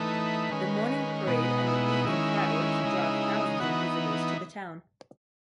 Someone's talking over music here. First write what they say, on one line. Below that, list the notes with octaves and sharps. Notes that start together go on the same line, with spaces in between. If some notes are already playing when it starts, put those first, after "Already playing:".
The morning parade and the evening fireworks draw thousands of visitors to the town.
Already playing: E3 A3 D#4 B4
D#3 G#3 C#4
B2 G#3 B3 D#4
E4
D#3 G#3 C#4 E4
C#3 G#3 D#4
E3 B3 D#4 F#4